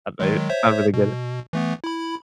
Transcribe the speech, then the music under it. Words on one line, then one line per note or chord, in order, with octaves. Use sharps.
uh, they I don't really get it.
D#3 F#3 G#3
C5 C#5 E5
B2
E3 A3 B3
E4 B5